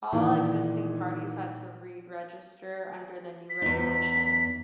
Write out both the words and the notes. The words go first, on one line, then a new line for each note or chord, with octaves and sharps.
All existing parties had to re-register under the new regulations.
A#2 D#3 E3
B6
E2 D#4
B6